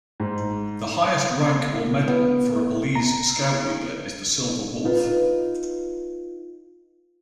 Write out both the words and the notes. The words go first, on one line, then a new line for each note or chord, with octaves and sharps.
The highest rank or medal for a Belize Scout Leader is the "Silver Wolf".
G#2
B3
A#5
D#4 F4 B4